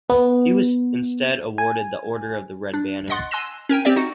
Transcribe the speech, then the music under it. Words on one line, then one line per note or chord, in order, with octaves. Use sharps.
He was instead awarded the Order of the Red Banner.
B3
G#5
D4
D#5 F#5 C6 F#6 A6
G#5 C6 E6 F#6 A#6 E7
C#4 A#4 G5 G#5
C4 G4 D5 E5
D#4 F#4